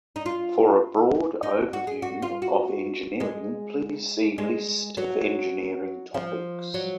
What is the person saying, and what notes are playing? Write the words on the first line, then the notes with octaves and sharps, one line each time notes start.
For a broad overview of engineering, please see List of engineering topics.
D#4
F4
D#4
F#4
G#4
F#4
F4
F#4
G#3
G#3
F#3
F3
F#3